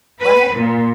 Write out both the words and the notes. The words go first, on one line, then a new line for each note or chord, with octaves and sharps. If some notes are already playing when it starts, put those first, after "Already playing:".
Well, have y
B4
A#2